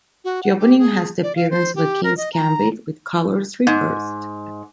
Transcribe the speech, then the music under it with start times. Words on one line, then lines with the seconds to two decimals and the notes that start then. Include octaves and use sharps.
The opening has the appearance of a King's Gambit with colours reversed.
0.24 F#4
0.43 F#5
0.59 G4
0.79 G#4
1.23 D5
1.36 F5
1.50 C5
1.75 G4
2.03 A#4
2.17 D#5
2.34 A#5
3.67 G#2